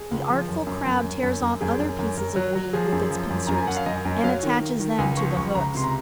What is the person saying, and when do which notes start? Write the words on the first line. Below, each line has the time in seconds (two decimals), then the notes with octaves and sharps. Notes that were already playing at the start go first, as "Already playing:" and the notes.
The artful Crab tears off other pieces of weed with its pincers, and attaches them to the hooks.
Already playing: G#4
0.11 C#2
0.29 F3
0.48 F#2
0.67 F#2
0.86 F#2
1.04 F#2
1.23 F#2
1.42 F#2
1.61 F#2 G#4
1.79 F#2
1.99 F#2
2.17 F#2 A#4
2.36 F#3
2.55 F#3
2.73 F3 G#4
2.92 F#2
3.11 F3
3.30 F#2
3.47 F#2 A#5
3.57 G#5
3.67 F#2 F#5
3.77 F5
3.86 F#2 D#5
4.05 F#2
4.24 F#3 F5
4.43 D#3
4.61 D#3
4.80 D#3
4.98 C#2 G#5
5.17 F3 C#6
5.36 C#2 C#6
5.55 C#2 A#5
5.75 C3 C6
5.84 A#5